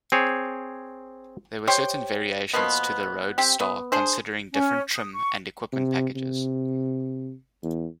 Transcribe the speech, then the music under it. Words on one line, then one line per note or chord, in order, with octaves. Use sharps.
There were certain variations to the Road Star considering different trim and equipment packages.
C4 G#4 C#5
G4 C5 C#5 G5
B2 F3 A#3 B3
C4 G4
B3
D4 G#4 C5
C#4
D#6
C#6
C3
C3
E2